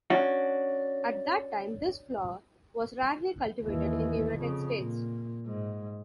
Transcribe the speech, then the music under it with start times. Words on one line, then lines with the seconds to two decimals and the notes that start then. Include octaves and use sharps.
At that time this flower was rarely cultivated in the United States.
0.10 C#4 D4 F#4
3.61 D#2 E3
4.36 F2 C#3
4.77 A#2
5.46 G#2